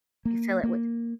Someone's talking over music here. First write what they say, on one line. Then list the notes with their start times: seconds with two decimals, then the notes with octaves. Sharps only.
you fill it with
0.25 A#3
0.63 A#3